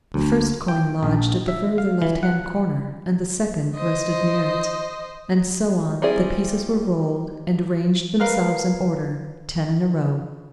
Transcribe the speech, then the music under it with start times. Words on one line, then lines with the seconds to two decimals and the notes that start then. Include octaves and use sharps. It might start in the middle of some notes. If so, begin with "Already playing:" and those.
The first coin lodged at the further left-hand corner and the second rested near it; and so on, the pieces were rolled, and ranged themselves in order, ten in a row.
0.14 D2
0.68 G5
1.03 A#1
1.48 E5
1.78 F5
2.02 E3
2.23 F#5
3.76 C5 D#5
6.02 G3 C4 E4 G#4 D5
8.20 A#4 B4 F5